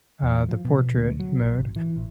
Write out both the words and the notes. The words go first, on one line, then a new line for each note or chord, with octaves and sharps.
uh, the portrait mode,
E2
F3
B2
D2
F#3
A#1
G#1
E3
A#1